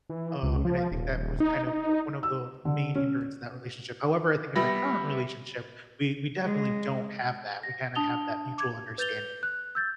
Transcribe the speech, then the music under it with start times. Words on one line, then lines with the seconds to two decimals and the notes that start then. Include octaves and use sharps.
um, and I think that was kind of, uh, one of the main hindrance in that relationship, however, I think in my current relationship, we we definitely don't have that, we kinda have that mutual understanding.
0.09 E3
0.43 C#2
0.65 F3
0.92 D#1
1.40 D#4
1.67 D#4
2.23 E6
2.65 D3
2.95 C#4
4.55 G3 B3 E5 B5 A#6
6.44 G#3
7.63 A#6
7.95 D4 A5 D#6 F7 G7
8.58 D6 G#6
8.98 B4 G6 A6 F7 G7
9.43 F#6
9.75 E6 G6 A6